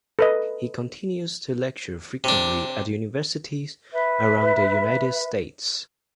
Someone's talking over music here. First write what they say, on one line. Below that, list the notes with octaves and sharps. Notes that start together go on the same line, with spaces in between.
He continues to lecture frequently at universities around the United States.
A4 B4 D#5
C3 D4
B4 E5